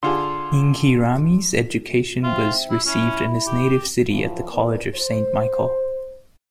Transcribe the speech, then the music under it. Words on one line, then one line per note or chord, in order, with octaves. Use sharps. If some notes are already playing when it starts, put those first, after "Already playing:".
Inghirami's education was received in his native city at the College of Saint Michael.
D3 F4 G#4 C6
C4 F4 E5
E4
C#4 E4
G4
A2 E3 F3
E3 A#3 B3 A#4 B4 D5
C5